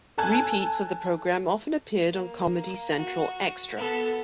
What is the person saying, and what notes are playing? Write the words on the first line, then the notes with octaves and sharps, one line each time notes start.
Repeats of the programme often appeared on Comedy Central Extra.
A4 G#5 A5 F#6 G#6
A#3
F#4
B3 A4